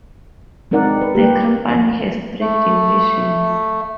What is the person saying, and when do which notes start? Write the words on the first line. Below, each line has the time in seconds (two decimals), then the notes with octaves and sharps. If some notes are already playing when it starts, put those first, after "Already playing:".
The company has three divisions.
0.71 G#3 C4 D#4 A#4 D5 F#5
1.01 B4
1.15 G3 A#3 G4
2.41 A3